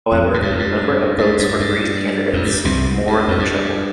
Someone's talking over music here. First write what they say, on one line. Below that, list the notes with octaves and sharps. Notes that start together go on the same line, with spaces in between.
However, the number of votes for Green candidates more than trebled.
F2
A2
G2
F2
G2
G2
G2
G2
F2
G2
C2 C3
G2
F2
G2